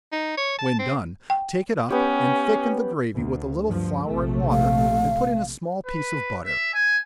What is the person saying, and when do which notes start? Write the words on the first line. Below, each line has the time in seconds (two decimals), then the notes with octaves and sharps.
When done, take it up, and thicken the gravy with a little flour and water, and put in a small piece of butter.
0.12 D#4
0.37 C#5
0.59 A5
0.79 C4
1.30 G5
1.90 B3 C#4 G4
3.14 D2
3.65 G2 F3
4.06 A#1 C3 A3
4.52 F5
5.86 B4
6.45 E5
6.74 G#5